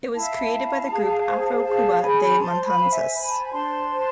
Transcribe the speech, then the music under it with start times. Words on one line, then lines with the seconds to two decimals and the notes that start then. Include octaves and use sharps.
It was created by the group Afro-Cuba De Matanzas.
0.14 E4 F5 A5
0.52 E4
0.89 G#4
1.27 C5
1.64 G#4 F5 A5
2.01 G#4 G#5 B5
2.39 C5 A5 C6
2.64 G#5 B5
2.77 C5 F5
2.89 E5 G#5
3.15 C5 G#5 B5
3.29 A5
3.41 B5
3.52 D4 A5 C6
3.90 C5